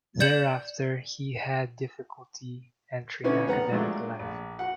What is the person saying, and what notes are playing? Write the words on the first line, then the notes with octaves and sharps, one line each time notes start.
Thereafter he had difficulty entering academic life.
D5 G6 G#6 C#7 E7 F#7
D3 B3 C#4 D#4 E4
G#1 B3 F#5 A#5
F#3 G#3 A3 D4 F4
A#1
F#4 F#5